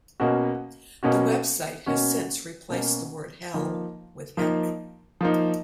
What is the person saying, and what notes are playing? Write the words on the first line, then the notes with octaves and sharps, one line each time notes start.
The website has since replaced the word 'hell' with 'heck'.
B2 A#3 C#4 F#4
B2 A#3 C#4 F#4
B2 A#3 C#4 F#4
B2 A#3 C#4 F#4
F3 A#3 D#4
F3 A#3 D#4
F3 A#3 D#4